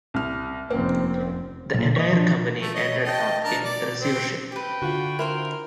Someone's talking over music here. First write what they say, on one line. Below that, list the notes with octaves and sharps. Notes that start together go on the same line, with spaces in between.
The entire company ended up in receivership.
C2 F6
F1 A#3 C4 C#4
B1 A#2
C#5 D#5
F3 D4
A3
C#5 D#5
D#5 G5 A5
D4 A#4 A5
D5
C4
G4 B4 G5
D3 F4 F#4
E4 A#4 C5 F5